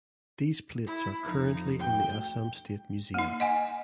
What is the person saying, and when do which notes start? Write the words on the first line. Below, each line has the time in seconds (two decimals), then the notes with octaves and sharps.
These plates are currently in the Assam State Museum.
0.86 E4
1.25 F2 F3 D#4
1.79 D2 G#2 G5
3.14 A#3 D#4
3.40 D#5 F#5 G#5